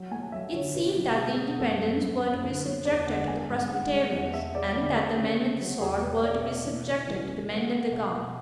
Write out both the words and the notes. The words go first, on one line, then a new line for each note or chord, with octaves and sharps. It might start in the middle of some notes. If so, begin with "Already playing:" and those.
It seemed that the Independents were to be subjected to the Presbyterians, and that the men of the sword were to be subjected to the men of the gown.
Already playing: F#3
A3 G#5
F#3 E5
D3 C#5
B2 B4
F#3
B2 G#4
B3
F#2 A4
F#2
F#2
F#2
D3 B4
F#3 C#5
E2 D5
D3 F#5
B3 G#5
G#2
G#3 F#5
G#3
E2 F#5
E2 E5
E2 D5
D3 D5
C#4 G#4
C#3
C#4
F#3
E2 G#4
B2 B4
C#4 D5
B2 E5
E3
C#3
E3
C#3
B3
B3
B2
B3